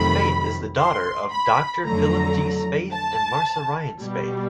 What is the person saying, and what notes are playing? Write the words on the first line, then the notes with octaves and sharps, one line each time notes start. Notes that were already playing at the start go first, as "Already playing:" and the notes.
Spaeth is the daughter of Doctor Philip G. Spaeth and Marcia Ryan Spaeth.
Already playing: F2 C3 D#3 F#3 A3 B5
C6
B5
F2 D3 F#3 A3 A#5
A5
B2 G3